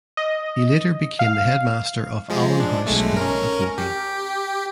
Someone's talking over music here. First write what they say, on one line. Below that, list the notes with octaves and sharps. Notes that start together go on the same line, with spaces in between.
He later became the headmaster of Allen House School at Woking.
D#5
F5
F3 G#3
D4
B1 G#3 A3
C#4 A#4
G4